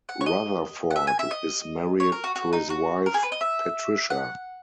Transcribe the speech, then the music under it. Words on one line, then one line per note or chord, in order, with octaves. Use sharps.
Rutherford is married to his wife, Patricia.
F#5
C#5
D#5
F#5
E5
G#5
E5
D#5
C#5
A#4
F#4
F#4
D#4
F#4
A#4
G#4
B4
D#5
E5
F#5